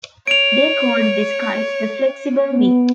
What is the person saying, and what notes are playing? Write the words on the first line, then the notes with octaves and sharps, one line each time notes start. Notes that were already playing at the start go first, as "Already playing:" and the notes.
They called this kite the "flexible wing".
C#5 D7 F7
B3